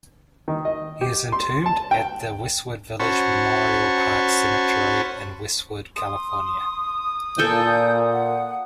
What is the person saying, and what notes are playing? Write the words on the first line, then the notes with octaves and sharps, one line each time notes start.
He is entombed at the Westwood Village Memorial Park Cemetery in Westwood, California.
D#3
D#5
G4
C6
A5
G5
C#4 F#4 C5 A5 B5 C#6
C6 D#6
A#2 A4 G5 G#5 G6
F#5